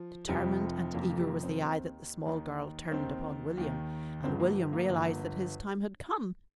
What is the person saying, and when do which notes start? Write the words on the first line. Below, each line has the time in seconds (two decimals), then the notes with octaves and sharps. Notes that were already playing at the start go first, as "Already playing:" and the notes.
Determined and eager was the eye that the small girl turned upon William, and William realised that his time had come.
Already playing: F3
0.28 F1 F2 F3 G3
0.94 F1 F2 F3 A#3
1.10 A#3
1.20 G3
1.27 A#3
1.43 C4
1.59 D#2 D#3
2.26 D#2 D#3
2.91 D#2 D#3 C4
3.57 D#2 D#3
4.24 G1 G2 F3 C4
4.40 A#3
4.56 G3
4.73 A#3
4.89 G1 G2 F3